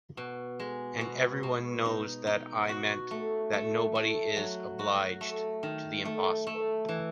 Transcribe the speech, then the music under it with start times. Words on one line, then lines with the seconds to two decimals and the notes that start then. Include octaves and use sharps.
And everyone knows that I meant that nobody is obliged to the impossible.
0.17 B2
0.60 G#3
1.01 B2
1.43 B2
1.85 D#4
2.27 D#4
2.69 F#4
3.11 A3
3.53 A3
3.95 A3
4.37 F#3
4.79 F#4
5.21 A3
5.63 D#3
6.05 A3
6.47 A3
6.89 E3